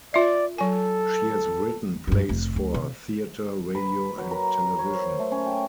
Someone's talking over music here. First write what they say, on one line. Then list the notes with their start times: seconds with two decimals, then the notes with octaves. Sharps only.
She has written plays for theatre, radio, and television.
0.14 F4 D5 E5
0.58 F#3 A4 G#5
2.07 F#2 F3
2.29 F1
2.56 D2
2.74 C3
3.75 B4
4.18 F#3
4.31 A#4
4.79 C#5
4.94 C5
5.19 A3
5.32 C#4
5.46 G5